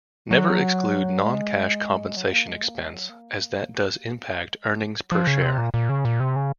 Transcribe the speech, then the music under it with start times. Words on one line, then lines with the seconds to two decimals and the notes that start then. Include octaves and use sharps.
Never exclude non-cash compensation expense as that does impact earnings per share.
0.31 F#3
1.24 G#3
2.17 F#3
2.32 A#3
2.48 G#3
2.63 A#3
2.79 G#3
2.94 F#3
3.09 A#3
4.49 G#3
4.96 F#3
5.12 F3
5.27 C#3
5.42 C3
5.58 A#2
5.74 A#2
5.89 C#3
6.05 A#2
6.20 C3
6.36 C#3